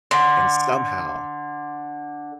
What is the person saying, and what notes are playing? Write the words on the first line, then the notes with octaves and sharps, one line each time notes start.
And somehow
D3 C6